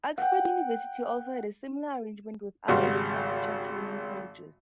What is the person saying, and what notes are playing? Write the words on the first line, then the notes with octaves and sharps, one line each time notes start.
Oxford University also had a similar arrangement with other local teacher training colleges.
F#5 G5
G#1 C#3 G3 F#4 C6